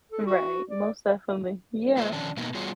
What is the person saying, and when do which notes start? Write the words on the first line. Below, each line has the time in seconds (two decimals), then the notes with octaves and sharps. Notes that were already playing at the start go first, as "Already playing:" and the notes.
Right, most definitely. Yeah.
0.12 A4
0.27 F#4
0.70 D5
1.97 A#3 F4 B4 C5 E5
2.12 D3 D#3 F3 C#4 D4
2.37 B2 A#3 B3 D#4
2.54 G3 B3 F4 F#4 G#4 C#5